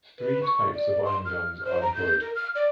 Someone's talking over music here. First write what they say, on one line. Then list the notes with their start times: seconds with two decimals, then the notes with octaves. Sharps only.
Three types of ion guns are employed.
0.19 B4
0.43 C#6
0.75 D5
1.05 C6
1.26 F6
1.65 C5
1.82 A#5
1.95 G6
2.21 A#4
2.35 F6
2.55 D5